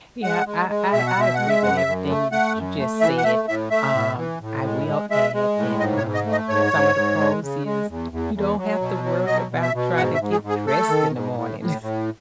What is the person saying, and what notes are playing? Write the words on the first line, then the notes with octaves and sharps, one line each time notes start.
Yeah. I I I agree with everything you just said, um, I will add that, um, some of the pros is you don't have to worry about trying to get dressed in the morning.
G#3 F#5
G#3
G#3
B2 E5
F#5
B2 E5
G#3 F#5
E5
F#2 F#5
E5
F#2
A3
A3 F#5
F#2
A3
E3 E5
F#5
A3 E5
A2 E5
A3 E5
A2
E3
A2
G#3
G#3
G#3 E5
G#3
A2
G#2 D#5
C#5
G#2
D#5
A3
D#5
G#2 C#5
G#2
G#2
G#3
C#3
G#3
E2
E2
E2
F#3
B2
F#3
B2 D#5
B2
E5
B2
G#2 F#5
E5
G#2
G#4
G#2
G#4
A3 A4
D#3
G#2
A2
A2
A2